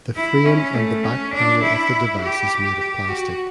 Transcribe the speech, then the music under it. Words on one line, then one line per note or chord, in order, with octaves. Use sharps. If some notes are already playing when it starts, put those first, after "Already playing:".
The frame and the back panel of the device is made of plastic.
E4
C#4
A3
C#4
D4
E4
G4
G4
F#4